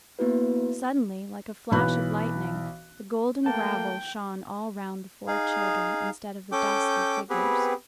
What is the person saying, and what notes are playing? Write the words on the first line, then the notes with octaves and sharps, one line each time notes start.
Suddenly, like a flash of lightning, the golden gravel shone all round the four children instead of the dusky figures.
A#3 B3 E4 F#4 B4
B1 E3 B5 F#6
A3 A#3 G5 A5
D#4 G#4 F5
C#4 A4 G5 D6 G6
B3 C4 G4 G#4 B4